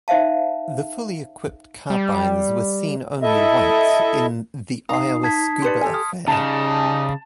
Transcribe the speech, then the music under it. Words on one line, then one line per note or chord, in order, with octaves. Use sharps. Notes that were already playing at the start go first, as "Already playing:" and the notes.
The fully equipped carbines were seen only once, in "The Iowa Scuba Affair".
D#4 C5 E5 F5 A5
G3
E4 A4 D#5 E5
D#4 F5 A#5 D#6 C7
A5 G#6 B6
G4 B4 D5 C6 C#7
G4 A4 G#5
D#6 F6
C#3 G3 D#4 A5 E7